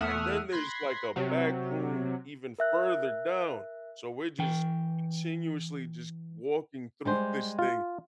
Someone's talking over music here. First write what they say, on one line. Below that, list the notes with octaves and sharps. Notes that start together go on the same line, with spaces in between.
and then there's, like, a back room even further down, so we're just continuously just walking through this thing,
E2 A3 E5 F#5 D#6 F6
B5 C6 F#6 G#6 A#6
C3 F#3
A#4 E5 F#6
E3 G5
G3 G#3 C5
F4